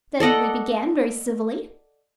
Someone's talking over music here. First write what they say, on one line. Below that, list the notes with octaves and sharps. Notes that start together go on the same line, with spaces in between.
Then we began--very civilly.
A4 D5 D#5 F#5